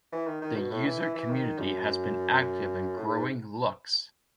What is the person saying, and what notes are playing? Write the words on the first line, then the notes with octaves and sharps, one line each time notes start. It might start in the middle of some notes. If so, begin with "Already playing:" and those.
The user community has been active in growing "Lux".
E3
D#3
D#3
B2
A2
E3
E3
E3
D#3
F#2
A2
G#2